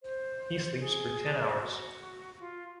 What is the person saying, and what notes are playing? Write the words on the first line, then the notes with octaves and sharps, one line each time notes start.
He sleeps for ten hours.
C5
G#4
F#4
F4